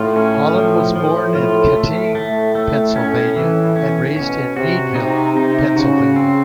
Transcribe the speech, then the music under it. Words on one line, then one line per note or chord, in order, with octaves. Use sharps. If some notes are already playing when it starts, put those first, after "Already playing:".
Holland was born in Kittanning, Pennsylvania and raised in Meadville, Pennsylvania.
Already playing: A2 F4
C#4
F3
A2 F3
A2 F4
A2 A3
A3
A3
C#4
E3
C#4
B2 C#4
C3 F#4
C3 D#4
C3 D#4
C#3 F#4
C4